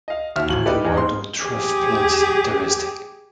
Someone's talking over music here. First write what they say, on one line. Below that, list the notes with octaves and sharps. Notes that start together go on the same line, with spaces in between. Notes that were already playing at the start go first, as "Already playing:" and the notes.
The Waldo Truth plot is interesting.
D#5 F5
D#2 F#4 E5 F6
D1 A1 F#7
D#4 E4 G4 A4 B4 D5
E2 G#4 D#5
C4 D#4 C6
G4 G#4